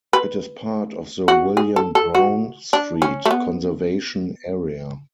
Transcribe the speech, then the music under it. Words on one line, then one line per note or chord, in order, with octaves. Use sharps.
It is part of the William Brown Street conservation area.
B4
F#4
G#4
A4
A4
F#4
D4
C#4
A3
B3